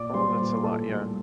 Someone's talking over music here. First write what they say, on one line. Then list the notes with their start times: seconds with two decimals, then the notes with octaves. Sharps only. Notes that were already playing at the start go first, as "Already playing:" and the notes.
Ooh, that's a lot, yeah.
Already playing: A#2 D5 D6
0.14 G3 C5 C6
0.39 A#2
0.63 A2 A4 A5
0.88 G3